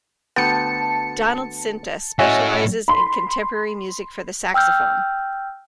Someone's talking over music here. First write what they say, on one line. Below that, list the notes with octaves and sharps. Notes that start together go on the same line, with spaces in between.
Donald Sinta specializes in contemporary music for the saxophone.
D2 B3 G5 A5 C#7
A2 C#4 F#4 D#5 E5 G#5
B5 C6
G5 E6 F6 G6